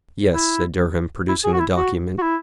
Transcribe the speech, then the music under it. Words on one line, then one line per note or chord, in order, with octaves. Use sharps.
"Yes," said Durham, producing the document.
E4
E4
G#4
F#4
E4
F#4
F#4
E4